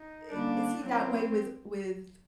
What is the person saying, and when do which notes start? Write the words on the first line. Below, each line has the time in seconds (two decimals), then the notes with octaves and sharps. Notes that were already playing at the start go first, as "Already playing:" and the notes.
i is he that way with with
Already playing: D#4
0.30 D3 G3 A#3 C#4 D4
0.83 F#3 A#3 C4 C#4 E4